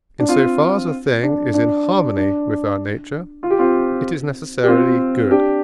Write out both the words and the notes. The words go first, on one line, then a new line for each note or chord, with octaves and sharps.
In so far as a thing is in harmony with our nature, it is necessarily good.
D4
C4 F4
D4
D4
D4
F4
G4
C4 F4
G4
C4 F4
D4 G4